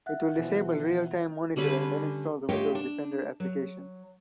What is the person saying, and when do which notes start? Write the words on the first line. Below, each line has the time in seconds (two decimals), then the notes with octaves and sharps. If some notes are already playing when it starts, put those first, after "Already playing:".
It will disable real time monitor and uninstall the Windows Defender application.
0.06 E5 F#5 F#6
0.38 B2 E3 F3
1.56 D3 G3 C#4 B4
2.49 A3 F4 G4 C#5 D#5 G5
2.75 D4
3.40 F#3